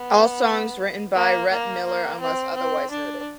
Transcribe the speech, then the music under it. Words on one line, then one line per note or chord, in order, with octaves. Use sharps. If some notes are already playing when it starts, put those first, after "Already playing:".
All songs written by Rhett Miller unless otherwise noted.
Already playing: B3
A#3
A#3
A#3
C4
C4
D4